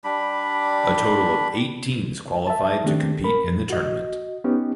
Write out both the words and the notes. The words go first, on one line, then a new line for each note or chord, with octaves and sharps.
A total of eight teams qualified to compete in the tournament.
G3 D4 B5
E5 A5
D#3 A3 C4 D4 G4
A#4 B5
F2
F#4 D#5
B3 C#4 D#4 G4